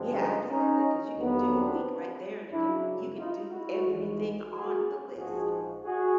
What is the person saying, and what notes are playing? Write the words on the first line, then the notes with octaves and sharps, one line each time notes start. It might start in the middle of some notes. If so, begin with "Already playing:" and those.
Yeah, absolutely, 'cause you could do a week right there, and you can you can do everything on the list
Already playing: G2 D3 F3 G#3 C4
C#4 D#4
C#4 D#4
D#2 D3 F#3 B3
C4 D4
F#2 C#3 F#3 D4 E4
D#4 F4
E4 F#4
G#1 G#2 E3 G#3
F#4 G#4
A#1 G#2 F3 F#4 G#4
F#4 G#4